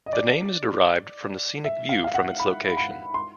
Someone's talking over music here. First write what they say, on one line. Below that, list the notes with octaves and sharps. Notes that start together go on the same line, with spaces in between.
The name is derived from the scenic view from its location.
D#5
D5
E5
F5
F5
F#5
B5
B5
C6